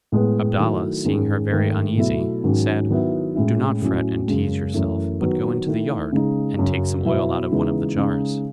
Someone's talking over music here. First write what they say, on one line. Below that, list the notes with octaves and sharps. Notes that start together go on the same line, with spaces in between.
Abdalla, seeing her very uneasy, said, "Do not fret and tease yourself, but go into the yard, and take some oil out of one of the jars."
A2 G#3 B3
D#3 F#3 A3 E4
G#2 D#3 G#3 C#4
G#2 D#3 A3
B2 F#3 A3 E4
G#2 D#3 F#3 C#4
D#3 F#3 B3 E4
A2 G#3 C#4 E4
A2 F#3 C#4 E4
F#2 C#3 G#3
F#2 E3 A3
D#3 F#3 B3
D#3 A3 E4
C#3 G#3 D#4
F#2 C#3 F#3
B2 F#3 B3 E4
C#3 E3 G#3 B3 D#4
C#3 G#3 D#4